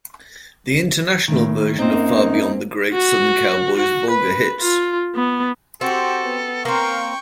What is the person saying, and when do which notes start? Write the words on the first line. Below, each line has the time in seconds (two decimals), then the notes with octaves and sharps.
The International version of Far Beyond the Great Southern Cowboys' Vulgar Hits!
1.28 A2 D#3
1.79 F#2 A#3 C4 D#4 C5
2.93 F#4
3.77 F#4
4.10 B4
4.60 F4
5.15 B3
5.81 C4 F#4 G4 A4
6.24 B3
6.65 A#3 C4 F5 G5 C#6